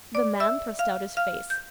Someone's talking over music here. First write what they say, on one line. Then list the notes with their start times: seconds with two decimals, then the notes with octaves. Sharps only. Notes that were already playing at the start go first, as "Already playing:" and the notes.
The man thrust out his face.
Already playing: E2
0.15 D5 D6
0.40 E5 E6
0.79 F5 F6
1.17 F5 F6
1.50 G6